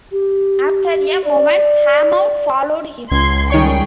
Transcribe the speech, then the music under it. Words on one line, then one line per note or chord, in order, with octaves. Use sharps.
After a moment Hammond followed him.
G4
D5
C#2 C6 G#6 C7
D#3 G3 G#4 C#5 G5 C#6